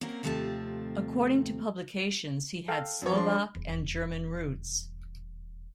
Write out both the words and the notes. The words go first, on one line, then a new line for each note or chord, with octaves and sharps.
According to publications, he had Slovak, and German roots.
A#3 C4 C#4 F#4 A#4
D#2 C3 F3 A3 C4 A5
A4 F5 G5
F#2 F3 C#5
G#3 D4 C6
D#1 E2